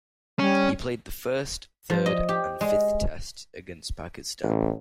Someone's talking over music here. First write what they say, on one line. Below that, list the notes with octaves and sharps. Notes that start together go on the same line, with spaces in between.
He played the First, Third and Fifth Tests against Pakistan.
G3 C#4
F3
D#5
G4
G#3
A1